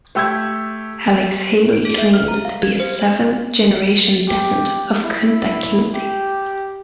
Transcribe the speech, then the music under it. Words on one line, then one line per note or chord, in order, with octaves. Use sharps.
Alex Haley claimed to be a seventh-generation descendant of Kunta Kinte.
A3 G4 E6 G6 G#6
D7
A4
E5
F6
A#5
F5
G#6
C5
G4
E4
G4